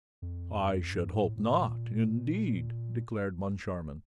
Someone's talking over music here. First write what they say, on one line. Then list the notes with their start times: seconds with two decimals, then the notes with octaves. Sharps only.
"I should hope not, indeed!" declared Moncharmin.
0.22 F2
0.92 G2
1.14 A2
1.37 A2
1.60 A#2